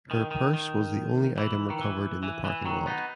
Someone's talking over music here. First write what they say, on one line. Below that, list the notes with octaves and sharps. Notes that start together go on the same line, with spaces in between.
Her purse was the only item recovered in the parking lot.
D#3
D#3
D#3
E3
D#3
E3
E3
E3
D#3 F#3
B3 D#4